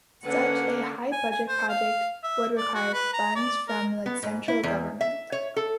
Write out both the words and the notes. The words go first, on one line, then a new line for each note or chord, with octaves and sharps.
Such a high-budget project would require funds from the Central Government.
D3 A#3 C#4 B4 F#5
G#5
G#5
C5
F5
E5
D5
F#4
B4
A#5
D5
A#4
B3
G#2
E4
E2
E5
C#5
A4